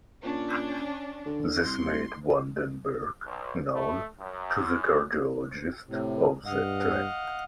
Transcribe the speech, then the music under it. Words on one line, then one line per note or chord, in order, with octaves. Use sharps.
This made Van den Berg known to the cardiologists of that time.
A#2 C#4 D4
D3
C2 C6
B1
A3
F#2
A2 C3
G2 D#5 F5 F#5